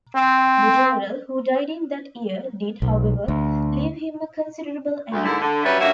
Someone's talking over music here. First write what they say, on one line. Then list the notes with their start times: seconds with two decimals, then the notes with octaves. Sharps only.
The general, who died in that year, did, however, leave him a considerable annuity.
0.15 C4
2.82 B1
3.28 D2
5.12 D2
5.24 G#2 D3 A#3 E4
5.41 D3
5.63 F#3 G3 C#4 E4 B4 E5
5.80 G2 A#3 C#4 F4 F#4 E5